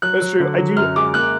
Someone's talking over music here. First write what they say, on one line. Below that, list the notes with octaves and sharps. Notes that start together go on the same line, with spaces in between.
That's true. I do
F#3 F#6
F#3
D3
F#3
F#2 F6
G#3 D6
A#3 F#6